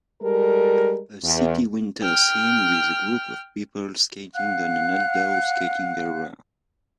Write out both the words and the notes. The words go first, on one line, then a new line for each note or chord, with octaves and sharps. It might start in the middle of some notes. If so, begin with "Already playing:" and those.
A city winter scene with a group of people skating on an outdoor skating area.
G3 G#3 A4 A#4
E2
G5 F6
F5 F#5 F#6